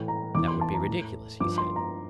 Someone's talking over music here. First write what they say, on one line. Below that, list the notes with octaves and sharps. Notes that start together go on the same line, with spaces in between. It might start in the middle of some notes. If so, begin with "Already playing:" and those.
That would be ridiculous, he said.
Already playing: A2 E3
A#5
E2 E3 D6
C6
A5
A#5
A2 E3
G2 F3 D6
C6
A#5